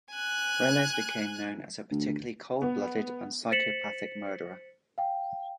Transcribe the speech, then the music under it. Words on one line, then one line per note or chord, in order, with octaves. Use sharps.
Reles became known as a particularly cold-blooded and psychopathic murderer.
G#5 F#6
D2
B3
C5 A6 B6 C#7 E7 F#7
F5 G5